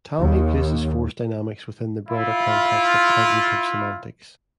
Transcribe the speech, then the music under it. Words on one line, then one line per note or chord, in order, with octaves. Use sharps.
Talmy places force dynamics within the broader context of cognitive semantics.
D#2
E4 F4